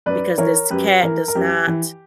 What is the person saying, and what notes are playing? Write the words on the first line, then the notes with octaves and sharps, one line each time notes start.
because this cat does not,
F#2 B4 D5
E3 A#4 C#5
F#2 G4 B4
E3 A#4
A#4
F#2 G4
E3